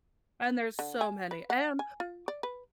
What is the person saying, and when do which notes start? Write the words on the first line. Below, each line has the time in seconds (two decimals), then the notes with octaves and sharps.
and there's so many, and
0.79 D3
1.01 G#5
1.31 B4
1.50 F#5
1.79 G#5
2.00 F4
2.28 D5
2.43 B4